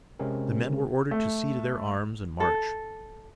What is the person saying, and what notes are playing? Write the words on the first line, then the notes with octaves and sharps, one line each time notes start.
The men were ordered to see to their arms and march.
C3 G#3 C4 C#4 A#4
A3
A4